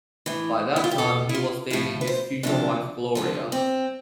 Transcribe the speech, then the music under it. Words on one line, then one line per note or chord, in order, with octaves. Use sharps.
By that time, he was dating his future wife Gloria.
A2 E3
E4
F4
G4
E2 B2 A4
E4
F4
A2 F3 E4
B4
C5
D2 C3 F3 D4
F2 D3 F3
C4